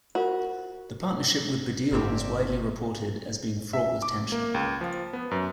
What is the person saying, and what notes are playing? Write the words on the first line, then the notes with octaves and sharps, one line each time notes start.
The partnership with Baddiel was widely reported as being fraught with tension.
F4 F#4 A#4 C5
G1 A#3 C4 G4
E5
D6
A#3
C#2
F3
B3
F#2